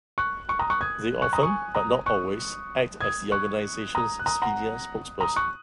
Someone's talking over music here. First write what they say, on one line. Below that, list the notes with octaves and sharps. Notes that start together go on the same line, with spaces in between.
They often, but not always, act as the organization's senior spokesperson.
C#6 F#6
C#6 F#6
A#5 D#6
C#6 F#6
D#6 G#6
C#6 F#6
A#5 D#6
G#5 C#6
A#5 D#6
C#6 F#6
D#6 G#6
C#6 F#6
A#5 D#6
F#6
A#5 D#6
F#5 A#5
A#5 D#6
C#6 F#6